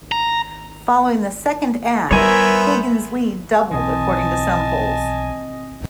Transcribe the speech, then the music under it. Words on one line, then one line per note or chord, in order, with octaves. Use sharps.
Following the second ad Hagan's lead doubled according to some polls.
A#5
G3 B3 E4 A#4 C5 C#5 E5 G#5
B1 E3 C4 D#5 G#5 A5 D#6